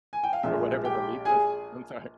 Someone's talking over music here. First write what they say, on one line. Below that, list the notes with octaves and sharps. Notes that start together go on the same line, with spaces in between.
Or whatever the leaf was. I'm sorry.
G#5
G5
F5
A#1 A#2 G#3 E5
G4 G5
G#4 G#5